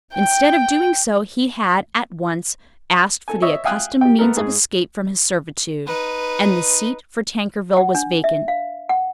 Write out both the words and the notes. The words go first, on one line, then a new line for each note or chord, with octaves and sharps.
Instead of doing so he had at once asked for the accustomed means of escape from his servitude, and the seat for Tankerville was vacant.
G5
A4 G#5
C#5 D#5 E5 C#6 D#6
E5 F5 G5 G#5 D#6 F#6
G4 G5
A3 B3 A4 A#4
G#2 G#3 G#4
D#4 B4
F#5
D4
E5
F5
F#5